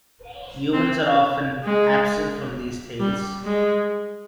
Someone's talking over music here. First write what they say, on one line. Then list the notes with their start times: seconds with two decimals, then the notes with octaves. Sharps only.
Humans are often absent from these tales.
0.73 C4
1.64 G#3
3.00 G3
3.45 G#3